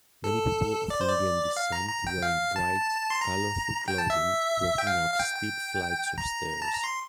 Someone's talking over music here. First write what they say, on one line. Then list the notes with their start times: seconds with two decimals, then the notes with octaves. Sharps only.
Many people of Indian descent wearing bright, colorful clothing walking up steep flights of stairs.
0.24 A4
0.90 D5
1.01 C5
1.09 D5
1.57 F5
1.72 A#5
1.89 A#5
2.07 G5
2.22 F5
2.56 A5
3.10 C6
3.21 A#5
3.88 G5
3.98 A5
4.10 E5
4.78 G5
4.87 F5
5.14 F5
5.19 G5
5.35 G5
6.18 A#5
6.62 A5
6.74 A#5
6.84 C6